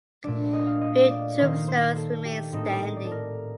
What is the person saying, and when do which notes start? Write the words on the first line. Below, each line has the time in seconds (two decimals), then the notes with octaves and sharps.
Few tombstones remain standing.
0.24 A#2 A3 D4 D5
0.53 D#5
0.67 F5
0.81 D#5
1.10 D5
1.39 D#3 A#3 D#4 C5
1.68 C5
1.96 A4
2.25 G4
2.52 A2 A3 C4 D#4 A4
2.63 A#4
2.72 C5
2.83 D#5
2.97 D5
3.05 A4
3.11 A#4